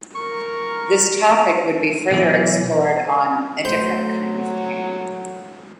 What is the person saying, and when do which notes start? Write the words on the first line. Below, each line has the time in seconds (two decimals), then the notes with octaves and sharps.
This topic would be further explored on "A Different Kind of Pain".
0.15 A#4 C#6
2.11 B1 E3
3.65 F#3 A3 C5